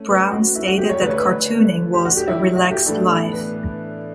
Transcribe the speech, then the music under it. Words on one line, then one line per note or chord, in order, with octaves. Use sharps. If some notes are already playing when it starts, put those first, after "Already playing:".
Brown stated that cartooning was "a relaxed life".
Already playing: A3 C#4
B4
F#4
E4
F#4
G4
C#5
D3 A3 D4 B4
C#5
B4
G4
F#4
G4
E4
E4
F#4
G4
A2 E3 B3 D4 A4
B4